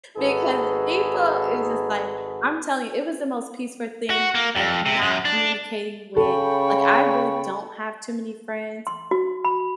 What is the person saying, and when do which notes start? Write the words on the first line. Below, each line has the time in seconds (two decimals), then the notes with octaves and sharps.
Because people is just like I'm telling you, it was the most peaceful thing, like, not communicating with Like, I really don't have too many friends,
0.17 G#1 D#4 F#4 G#4 A4 B4
4.10 F#4
4.35 A#3
4.55 F2
4.86 C3
5.02 F#2
5.25 D4
6.17 C#3 A4 G5 B5 C#6
8.87 C6
9.11 F#4
9.45 B5